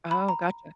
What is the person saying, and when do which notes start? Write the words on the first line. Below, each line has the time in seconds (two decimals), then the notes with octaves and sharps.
Oh, gotcha.
0.11 B5
0.29 A#5